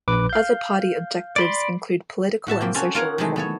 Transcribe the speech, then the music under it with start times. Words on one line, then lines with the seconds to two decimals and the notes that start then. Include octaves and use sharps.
Other party objectives include political and social reform.
0.08 A#1 B4 D6
0.29 F5 G6
1.36 D5 B5 C6
2.47 A2 F#4 E5 A5
2.61 C3 A#3 C4
2.74 C4 C#4 F#4 A4
2.95 F4 A#4 C#5 F#5
3.18 C3 D#3 E3 F#3 G#3 A3
3.36 B3 A4 C#5